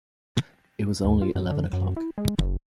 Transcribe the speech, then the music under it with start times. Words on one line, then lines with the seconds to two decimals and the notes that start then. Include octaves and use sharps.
It was only eleven o’clock.
1.04 D#2
1.22 F4
1.35 F#2
1.51 D3
1.73 F#2
1.97 E4
2.18 G#3
2.39 F#1